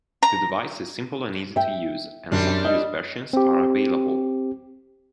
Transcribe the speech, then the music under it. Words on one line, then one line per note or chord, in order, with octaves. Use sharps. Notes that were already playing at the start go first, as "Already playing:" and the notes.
The device is simple and easy to use and self-use versions are available.
A#5
E5 G5
F#2 G3 C4 D4
D#5
C4 G4